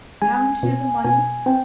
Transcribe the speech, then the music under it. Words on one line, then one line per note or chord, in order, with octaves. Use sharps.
Haven't you the money?
G#3 G#5
B2
B2 G#5
C4 G5